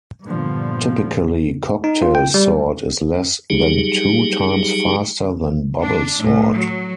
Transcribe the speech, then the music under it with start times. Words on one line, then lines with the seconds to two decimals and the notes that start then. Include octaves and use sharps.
Typically cocktail sort is less than two times faster than bubble sort.
0.24 G2 A#2 D3 F3 B3
1.84 D#4
2.02 F4
2.15 G5
2.34 G3
3.50 F#3 G3 D#4 G4 G#4
5.80 D4
6.18 A2
6.55 F#3